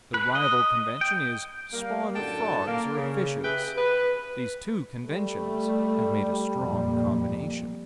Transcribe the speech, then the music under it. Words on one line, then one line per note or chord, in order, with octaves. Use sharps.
The rival convention is "spawn of frogs or of fishes." These two conventions have made a strong combination.
B4
D#5
G5
G3 A#3
F#2 A2 D3 G5 A5
A#3
C#3
G4 G#4 B4 E5 G5
B4
G3 A3
F2 A#2